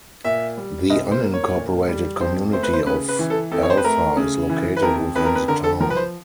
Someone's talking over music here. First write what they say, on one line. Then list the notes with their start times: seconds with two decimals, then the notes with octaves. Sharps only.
The unincorporated community of Alpha is located within the town.
0.25 A#2 E5
0.57 G3
0.90 C2 D#5
1.12 C5
1.23 A#3
1.33 C#5
1.55 A#2
1.88 G3
2.21 F2 C5
2.53 A3 C5
2.63 B4
2.73 C5
2.86 C#3 B4
3.08 B4
3.19 E3
3.30 A4
3.52 F2 A4
3.63 C#5
3.70 C5
3.77 B4
3.84 A3 A#4
4.17 C#3
4.50 E3
4.76 B4
4.82 F2 A#4
5.15 F2 B4
5.25 A#4
5.35 B4
5.48 D3 A#4
5.64 A4
5.80 F3 A#4
5.90 B4
5.96 C5